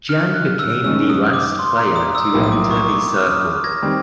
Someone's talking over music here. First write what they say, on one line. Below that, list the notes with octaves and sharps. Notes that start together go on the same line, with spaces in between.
Jan became the last player to enter The Circle.
F6
F#6
E6
F#2 D#3 G#3 C#4 E6
D#6
D6
C6
A#5
D#6
E6
B1 A2 F3 A#3 D#6
D#6
D6
C#6
D6
D#6
F6
G#6 A#6
D#3 G3 C4